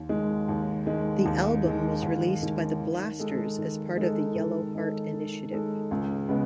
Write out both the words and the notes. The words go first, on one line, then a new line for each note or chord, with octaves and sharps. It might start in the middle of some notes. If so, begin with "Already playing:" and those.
The album was released by the Blasters as part of the "Yellow Heart Initiative".
Already playing: D#2
D#3 G#3
D#2
D#3 G#3
D#2
D#3 G#3
D#2
D#3 G#3
D#3
G#3 D#4 A4
D#3
G#3 D#4 A4
D#3
G#3 D#4 A4
D#3
G#3 D#4 A4
C#2
C#3 G#3 B3